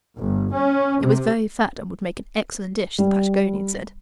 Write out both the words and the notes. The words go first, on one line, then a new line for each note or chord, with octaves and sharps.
It was very fat and would make an excellent dish, the Patagonian said.
G1
C#4
C3
G3